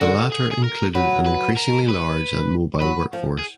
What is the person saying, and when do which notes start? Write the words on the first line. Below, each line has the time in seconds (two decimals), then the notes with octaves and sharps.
The latter included an increasingly large and mobile workforce.
0.01 D3 F#4
0.32 G#4
0.51 G#4
0.64 A#4
0.95 F#3 B4
1.26 B4
1.57 A#4
1.89 B4
2.81 F#3 B4
3.13 F3
3.39 G#4